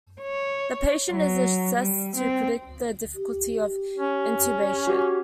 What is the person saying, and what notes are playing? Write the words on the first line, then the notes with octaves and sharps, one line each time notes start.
The patient is assessed to predict the difficulty of intubation.
C#5
F#3
G3
C4
G4
C#4
F#4 G4